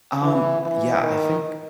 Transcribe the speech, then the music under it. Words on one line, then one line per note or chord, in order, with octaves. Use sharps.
Um, yeah, I think
E3
E3
D#3